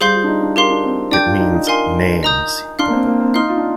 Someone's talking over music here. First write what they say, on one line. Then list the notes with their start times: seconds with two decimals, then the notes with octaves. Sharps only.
It means "Names".
0.01 G3 G#4 C5 F5 C6 G6
0.14 F4
0.24 D4
0.28 D#4
0.42 D4
0.56 D#4 G4 A#4 F5 C6
0.70 D4
0.84 C4
0.98 C4
1.11 D4 D5 G5 D6 G6
1.26 F4
1.40 D#4
1.54 D#4
1.67 A#4 F5 G#5 C6
2.23 D#5 A#5 D#6 G6
2.79 D4 F5 C6 F6
2.88 A#3
2.93 C4
3.07 A#3
3.20 C4
3.34 D#4 F5 C6 F6
3.49 F4
3.57 D4